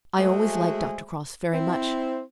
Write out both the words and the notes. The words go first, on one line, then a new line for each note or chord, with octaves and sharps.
I always liked Dr. Crofts very much.
G#3 A3 F#4 G#4 C5 E5
C4 E4 C5